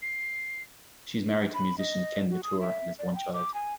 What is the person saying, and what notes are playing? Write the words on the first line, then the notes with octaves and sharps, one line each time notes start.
She's married to musician Ken LaTour and has one child.
C7
B5
D#5
F#4
D#6
E5
D5
G5
D6
G#5